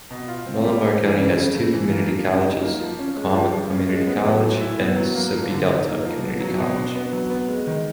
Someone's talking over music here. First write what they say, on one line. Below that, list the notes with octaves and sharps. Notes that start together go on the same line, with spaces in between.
Bolivar County has two community colleges: Coahoma Community College and Mississippi Delta Community College.
B2
F4
C4
G3
A3
E3
C#3
C#3
A3
E3
A#3
F3
C#3
D#4
A#3
F3
C#4
G#3
F3
F3
C#4
G#3
B3
F#3
A#2
E4
B3
F#3
A#3
F3
D3
D#4
A#3
F3
B3
F#3
B2
D4
B3
F#3
B3
G#3
D#3